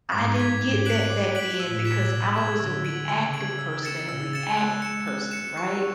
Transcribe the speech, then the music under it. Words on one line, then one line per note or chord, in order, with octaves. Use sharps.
I didn't get that back then because I was a reactive person and a reactive person, right?
G#2 D6
G#6 B6
G#2 D6
F#6 B6 D7 F#7
D6
F#6 B6 D7 F#7
A2 E6
G#6 B6 E7
B2 E6
G#6 B6 E7
D3 E6
G#6 D7 F#7
C#3 E6
G#6 D7 F#7
E6
A6 C#7 E7
C#3 E6
A6 C#7 E7
G#3 F#6
C#7 E7
F#6
C#7 E7
F#3 C#6